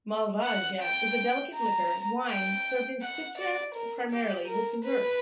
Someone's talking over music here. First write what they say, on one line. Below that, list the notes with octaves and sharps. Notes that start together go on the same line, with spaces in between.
Malvasia is a delicate liquor wine served in Sitges, primarily with dessert.
F#5
G5
A#5
G5
F#5
D5
A#4
G4
A#4
B4